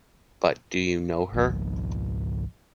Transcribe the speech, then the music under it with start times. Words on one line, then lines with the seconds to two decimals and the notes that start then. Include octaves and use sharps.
But do you know her?
1.34 G#1 C#2 F3